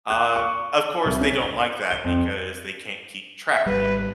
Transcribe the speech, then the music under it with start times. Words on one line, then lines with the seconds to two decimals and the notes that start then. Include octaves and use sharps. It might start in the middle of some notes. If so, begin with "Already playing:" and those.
um, of course, they don't like that because they can't keep track of you,
0.10 F#6
0.36 C#6
1.05 C2
1.21 C#4
1.42 G7
1.91 G7
2.04 F2
3.51 E5
3.66 G#1 G3 B4